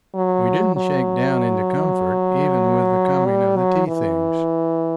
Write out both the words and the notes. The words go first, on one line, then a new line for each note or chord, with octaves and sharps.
We didn't shake down into comfort even with the coming of the tea-things.
F#3
F#3
G3
F#3
E3